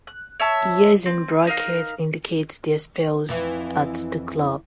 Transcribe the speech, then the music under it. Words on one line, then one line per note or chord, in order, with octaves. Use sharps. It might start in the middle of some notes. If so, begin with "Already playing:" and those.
Years in brackets indicate their spells at the club.
F#6
C#5 E5 A5 E6
C4
D#4 A#4 F5
F2 E3